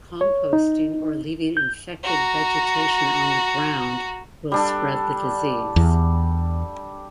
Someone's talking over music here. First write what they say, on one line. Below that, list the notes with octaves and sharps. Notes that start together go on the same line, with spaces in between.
Composting, or leaving infected vegetation on the ground will spread the disease.
C#5
D#4
G6
F#4 A#5
G3 D4 A4
E2